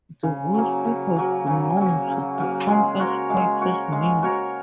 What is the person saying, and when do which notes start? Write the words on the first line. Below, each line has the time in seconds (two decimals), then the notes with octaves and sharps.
The whiskey has been known to become as white as milk.
0.23 C#3
0.54 F#3 A#3
0.85 C#3
1.16 F#3 A#3
1.47 C#3
1.77 F#3 A#3
2.08 C#3
2.38 F#3 A#3
2.68 G#3
3.00 F#4 A#4 C#5
3.30 G#3
3.61 F#4 A#4 C#5
3.92 G#3
4.23 F#4 A#4 C#5